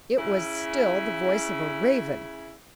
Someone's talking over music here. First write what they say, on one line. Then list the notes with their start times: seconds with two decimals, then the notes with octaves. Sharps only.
It was still the voice of a raven!
0.18 C#3 E4